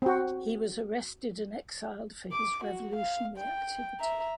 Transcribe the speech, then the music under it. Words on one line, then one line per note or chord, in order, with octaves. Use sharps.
He was arrested and exiled for his revolutionary activity.
C4 F#4
D6
F#4
F5
G5
E5 A#5